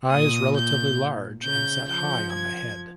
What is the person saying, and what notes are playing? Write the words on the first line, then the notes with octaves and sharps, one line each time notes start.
Eyes relatively large and set high on the head.
A#2 D#6
G6
C#3 G6
F3 G6
G#6